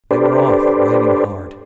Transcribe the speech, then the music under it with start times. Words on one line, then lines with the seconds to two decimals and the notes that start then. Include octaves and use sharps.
They were off, riding hard.
0.11 D4 G4 A4 B4 C5 D5